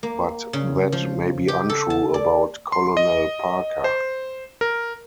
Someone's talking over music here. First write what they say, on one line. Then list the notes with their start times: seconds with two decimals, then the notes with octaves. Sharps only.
But that may be untrue about Colonel Parker.
0.03 A#3
0.53 C#3
0.92 F3
1.48 G4
1.69 A4
1.90 A5
2.14 D5
2.72 C6
2.97 D#5
3.84 C5
4.61 A#4